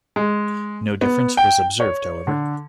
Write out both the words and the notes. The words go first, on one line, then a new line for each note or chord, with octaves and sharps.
No difference was observed, however.
G#3
B3
G5
C#5
D3